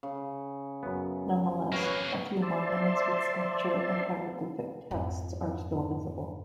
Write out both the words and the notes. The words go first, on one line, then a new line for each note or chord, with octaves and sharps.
Nonetheless, a few monuments with sculpture and hieroglyphic texts are still visible.
C#3
F#2 B3
A#3 G#4 B4 C#5 G#5
C5 D5 E5 A5 C6
F2 G#2